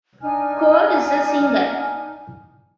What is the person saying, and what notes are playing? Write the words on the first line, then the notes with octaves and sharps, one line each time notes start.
Cole is a singer.
D4 D#4 G#5 F6